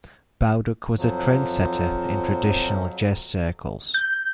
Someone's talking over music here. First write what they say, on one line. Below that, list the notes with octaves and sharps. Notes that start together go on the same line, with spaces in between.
Bauduc was a trend setter in traditional jazz circles.
F2 F3 F#3
G6